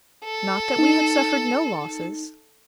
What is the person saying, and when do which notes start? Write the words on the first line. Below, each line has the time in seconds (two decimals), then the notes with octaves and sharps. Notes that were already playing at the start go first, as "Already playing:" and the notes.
Not that we had suffered no losses.
0.25 A4
0.78 D#4